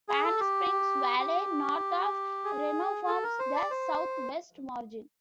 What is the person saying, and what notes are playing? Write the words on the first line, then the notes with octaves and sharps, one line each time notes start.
Spanish Springs Valley north of Reno forms the southwest margin.
G#4
A4
G4
G4
G#4
A4
A#4
C5
D5
C5